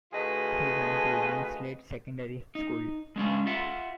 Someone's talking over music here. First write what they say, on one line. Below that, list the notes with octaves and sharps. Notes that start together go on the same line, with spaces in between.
He went to Linslade Secondary School.
D2 F4 G#4 B4 D#5
D#4
G#3 C#4 D4
F4 E5 F#5